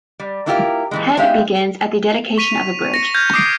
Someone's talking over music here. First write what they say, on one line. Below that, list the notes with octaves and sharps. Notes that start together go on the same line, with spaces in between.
"Head" begins at the dedication of a bridge.
G3
A#3 D4 E4 F4 G4 A#4
A#2 E3 G#3
G#3 D#4 G4 E5 F5
C#6 B6 D#7 F7
A#6 C#7 D#7
F6 G6 G#6 A#6 F7
D6 D#6 G6 A#6 C7 D7